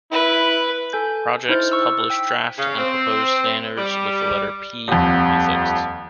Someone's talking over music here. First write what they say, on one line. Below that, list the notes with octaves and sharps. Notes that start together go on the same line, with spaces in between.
Projects publish draft and proposed standards with the letter "P" prefixed.
E4 B4
A4 G#5 G6
D#4 E4 C5 F6 G6 A6
C#6 E6
G5 E6 B6
C#3
C4
G3
D#1 F2